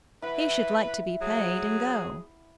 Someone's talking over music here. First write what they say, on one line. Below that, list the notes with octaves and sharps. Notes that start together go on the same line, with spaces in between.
He should like to be paid, and go.
E4 B4 F#5
F#3 G#4